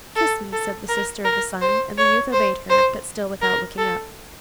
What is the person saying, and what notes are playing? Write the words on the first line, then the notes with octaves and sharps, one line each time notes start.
'Kiss me,' said the Sister of the Sun; and the youth obeyed her, but still without looking up.
A4
A4
A#4
A#4
C5
C#5
C5
C5
A#4
A4